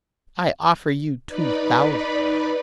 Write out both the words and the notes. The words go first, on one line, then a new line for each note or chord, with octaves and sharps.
"I offer you two thousand."
D#4 B4 D5 B5